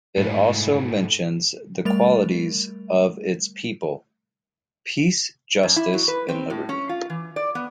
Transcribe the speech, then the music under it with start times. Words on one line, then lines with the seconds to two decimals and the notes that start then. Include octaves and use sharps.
It also mentions the qualities of its people: peace, justice, and liberty.
0.17 G#2 A3
1.85 G3 A3 A#4 A6 F7
5.63 F#2
5.76 E4
5.93 F#3
6.08 B4
6.28 C4
6.50 A2
6.69 C#4
6.89 F4
7.10 E3
7.36 D5
7.55 B3